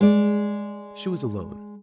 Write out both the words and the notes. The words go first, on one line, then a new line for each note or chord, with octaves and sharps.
She was alone.
G#3 D5